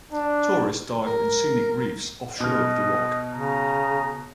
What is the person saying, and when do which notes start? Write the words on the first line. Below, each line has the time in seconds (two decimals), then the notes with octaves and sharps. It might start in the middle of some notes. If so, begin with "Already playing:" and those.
Tourists dive in scenic reefs offshore of the rock.
0.13 D4
1.06 A#4
2.40 B2 D#5 F6
3.34 C#3 A#5